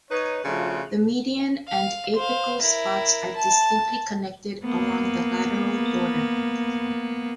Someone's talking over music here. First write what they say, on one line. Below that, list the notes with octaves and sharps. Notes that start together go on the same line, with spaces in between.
The median and apical spots are distinctly connected along the lateral border.
D#4 B4 C#5
C#3 F3 A3 D4 F4 F#4
F5
C5 F5
E4 A#4
A5
A#3 B3